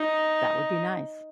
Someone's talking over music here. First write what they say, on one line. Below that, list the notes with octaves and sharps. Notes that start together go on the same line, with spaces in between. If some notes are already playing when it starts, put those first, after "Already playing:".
That would be nice.
Already playing: D#4